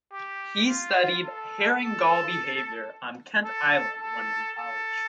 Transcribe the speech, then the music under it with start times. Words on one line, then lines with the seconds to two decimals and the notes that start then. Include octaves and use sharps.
He studied herring gull behavior on Kent Island while in college.
0.12 G4
0.67 F4
1.24 A4
1.79 A4
3.45 A4
4.01 A4
4.57 A4